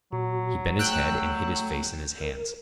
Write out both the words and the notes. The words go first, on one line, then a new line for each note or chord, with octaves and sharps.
He bent his head, and hid his face in his hands.
A#2 F#3 F#4
A3 G5 E6 F#6
A#4